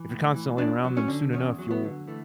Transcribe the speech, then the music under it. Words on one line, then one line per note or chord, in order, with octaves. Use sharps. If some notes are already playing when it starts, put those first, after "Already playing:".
if you're constantly around them, soon enough you'll
Already playing: E3
A2
E3
E2 D4
F#3
C#4
D3
E2 C#4
F#3
B3
D3
E3 A3